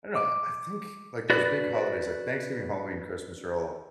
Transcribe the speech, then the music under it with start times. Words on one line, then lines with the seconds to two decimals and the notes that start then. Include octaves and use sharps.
I don't know, I think, like, those big holidays, like, Thanksgiving, Halloween, Christmas are all
0.16 D6
1.30 F#4 B4 D5